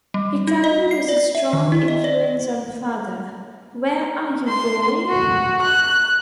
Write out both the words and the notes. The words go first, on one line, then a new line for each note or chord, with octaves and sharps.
Hikari was a strong influence on Father, Where are you Going?
G3
D#4
D#5
C7
D5
E5
D#3
E4
D#5
D5
C6
F#4
F#6